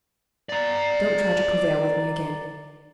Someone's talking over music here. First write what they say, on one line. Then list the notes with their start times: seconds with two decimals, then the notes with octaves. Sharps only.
Don't try to prevail with me again.
0.49 D5 A#5